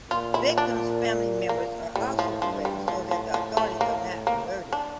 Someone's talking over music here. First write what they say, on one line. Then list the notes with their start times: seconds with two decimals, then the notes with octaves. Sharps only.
Victims’ family members are also threatened so that the authorities are not alerted.
0.11 A#2 F4
0.34 E4
0.58 D4
1.49 A#3
1.96 A2 G3
2.19 F3
2.42 G2 F3
2.65 G3
2.88 A2 F3
3.11 F3
3.34 F3
3.57 A3
3.81 A#3
4.27 A#3
4.73 D4